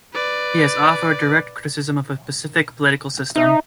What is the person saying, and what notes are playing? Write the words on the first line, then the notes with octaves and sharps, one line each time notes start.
He has offered direct criticism of a specific political system.
B4 D5
D#4 E5